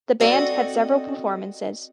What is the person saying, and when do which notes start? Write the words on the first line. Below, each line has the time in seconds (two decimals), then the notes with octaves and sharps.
The band had several performances.
0.20 C4 F#4 A4 D5 D#5